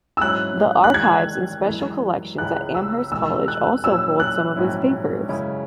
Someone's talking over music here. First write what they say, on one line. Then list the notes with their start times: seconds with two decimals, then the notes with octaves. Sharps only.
The Archives and Special Collections at Amherst College also hold some of his papers.
0.17 E6
0.21 G#2 F#3 C#4 E4 F#6
0.84 F#6
0.94 E2 D#3 G#3 G#6
1.66 F#2 E3 G#3
2.38 C#2 C#3 G#3 C#4 E4 F#6
2.74 E6
3.11 E1 E2 B2 G#3 E6
3.48 F#6
3.84 A#2 F#3 C#4 E4 E6
4.20 F#6
4.56 A#1 G#2 F#3 C#4 E4
5.29 F#2 C#3 G#3 C#4 E4